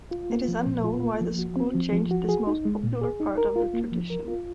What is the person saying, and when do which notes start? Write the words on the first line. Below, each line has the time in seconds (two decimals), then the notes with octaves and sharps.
It is unknown why the school changed this most popular part of the tradition.
0.11 F4
0.30 A#3
0.48 F3
0.66 A#2
0.84 F4
1.02 A#3
1.21 F3
1.39 F#4
1.56 C4
1.74 F3
1.93 F3
2.11 F#4
2.29 G#4
2.47 D#4
2.65 G#3
2.83 A#2
3.01 G#4
3.20 D#4
3.38 A#4
3.56 F4
3.74 A#3
3.92 F3
4.10 A#4
4.28 F4